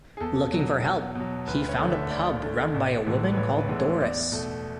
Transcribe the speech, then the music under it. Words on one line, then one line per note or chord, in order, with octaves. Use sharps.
Looking for help, he found a pub run by a woman called Doris.
G#4
E2 A4
B2 F#3
E2
B2 F#3
D2 B4
B4
C#5
D3 A3
E5
D2 D5
D3 A3
A1
A2 E3 G#3 B3
B4
A1 C#5
B4
A2 E3 G#3 B3
C#5
E2 D5
B2 A3